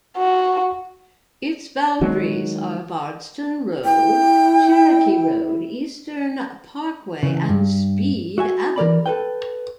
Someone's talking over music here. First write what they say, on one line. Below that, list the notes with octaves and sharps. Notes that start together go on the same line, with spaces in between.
Its boundaries are Bardstown Road, Cherokee Road, Eastern Parkway and Speed Avenue.
F#4
D#3 F#3 G#3
E4 G5
C#3 E3
G2
F#4 E5 G#5
E3 A#4 D5 B5
A4 B4 G5